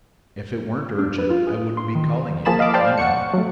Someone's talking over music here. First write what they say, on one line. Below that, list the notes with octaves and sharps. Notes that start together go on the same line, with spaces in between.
If it weren't urgent, I wouldn't be calling you, you know.
D4
B4
F4
G#4
C6
D#3
F3 A#3 G#4 A5 B5 E7
D#5 F5 B5 D6
C5 D5 F5 G5 A5
F#5 C#6 C#7
F#3 A3